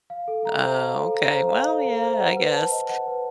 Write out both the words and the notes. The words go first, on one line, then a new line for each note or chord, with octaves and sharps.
Ah, okay. Well, yeah, I guess.
F5
A4
A#5
C5
F5
A4
A#5
C5
F5
A4
A#5
C5
F#5
B4
A5
D#5
F#5
B4